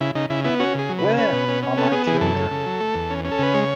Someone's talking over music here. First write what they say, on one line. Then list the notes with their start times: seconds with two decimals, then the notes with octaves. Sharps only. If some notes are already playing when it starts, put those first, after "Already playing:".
Where Are My Children?
0.01 C#3 E4
0.15 C#3 D#4
0.30 C#3 E4
0.44 B3 E4
0.60 C#4 F#4
0.74 C#3 G#4
0.89 F#3
0.99 C#3 B4
1.18 C#4 B4
1.33 B2
1.48 C#4
1.63 C#4
1.77 B3 A4
1.92 B3 G#4
2.07 E3 G#4
2.21 F#2 A4
2.36 C#3
2.51 C#3
2.66 F#3
2.80 A3
2.94 E2
3.10 C#4
3.25 C#4
3.31 A4
3.39 C#3 B4
3.54 G#3 C#5